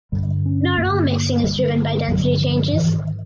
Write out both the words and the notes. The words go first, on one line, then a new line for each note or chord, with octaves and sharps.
Not all mixing is driven by density changes.
G2 D3 G3
C#4
G2 D3 A#3
G2 D3 G3
G2 D3 F#3
F3
G#2 E3
D#3